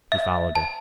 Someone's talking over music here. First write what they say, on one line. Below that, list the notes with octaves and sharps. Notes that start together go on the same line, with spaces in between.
He followed her.
E5
A5